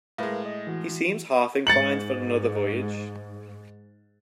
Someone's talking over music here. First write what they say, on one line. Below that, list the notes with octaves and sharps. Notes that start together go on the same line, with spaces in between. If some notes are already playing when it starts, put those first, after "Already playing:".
He seems half inclined for another voyage.
A2 G#3 A#4 B4 F5
D#5
E3 F#4
G#2 A6 C#7 F#7